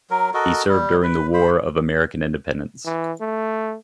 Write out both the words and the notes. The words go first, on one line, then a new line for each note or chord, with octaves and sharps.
He served during the War of American Independence.
F#3 A#4
F#4 A4 A#4 D#5
G3
B4
C5 B5
E3
A3